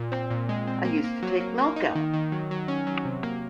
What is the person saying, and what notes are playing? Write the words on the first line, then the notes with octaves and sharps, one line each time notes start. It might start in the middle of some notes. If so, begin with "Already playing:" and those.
I used to take milk out.
Already playing: A#2
C4
A#2
G#3
C4
A#3
A#3
F#3
A#3
A#3
D#4
D#3
D#3
F#3
F#3
C#4
F#3
C3
A#3